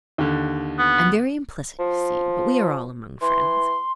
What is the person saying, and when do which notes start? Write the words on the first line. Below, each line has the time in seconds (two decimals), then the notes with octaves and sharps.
I am very implicit, you see; but we are all among friends.
0.18 D#2 D3
0.79 B3
1.79 F3
3.22 E3 C6